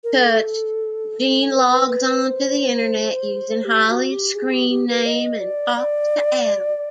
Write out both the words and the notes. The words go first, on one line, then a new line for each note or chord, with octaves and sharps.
Touched, Jean logs onto the internet using Holly's screen name and talks to Adam.
A#4
A4
B4
C5
G4
F#4
G4
G#4
G4
G4
B4
D#5
D5
D5